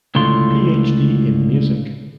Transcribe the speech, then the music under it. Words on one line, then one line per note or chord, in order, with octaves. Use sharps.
PhD in music.
C#2 A2 D3 F4 C6